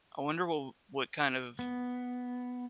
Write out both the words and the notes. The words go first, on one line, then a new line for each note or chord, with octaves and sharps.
I wonder wh what kind of
B3